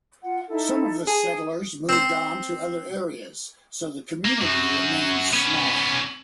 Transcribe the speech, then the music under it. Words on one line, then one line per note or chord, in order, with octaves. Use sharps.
Some of the settlers moved on to other areas so the community remained small.
F4 F#5
D#4 E4 A4
G#4 A5
D#6
C4 C5
A#3
F#2 F#4
B3 C#4